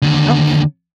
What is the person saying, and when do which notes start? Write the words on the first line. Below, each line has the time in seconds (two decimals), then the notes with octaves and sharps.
Oh, yeah.
0.02 D#2 D3